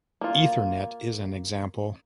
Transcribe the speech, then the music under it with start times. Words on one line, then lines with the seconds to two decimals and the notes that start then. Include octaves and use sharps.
Ethernet is an example.
0.21 A#3 F4